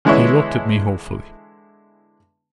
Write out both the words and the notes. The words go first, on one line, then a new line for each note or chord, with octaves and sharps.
He looked at me hopefully.
D3 E3 G#3 B3 E4 C#5